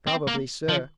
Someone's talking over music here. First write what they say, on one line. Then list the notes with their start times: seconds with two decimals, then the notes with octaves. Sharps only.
Probably so.
0.07 C4
0.27 A#3
0.69 F3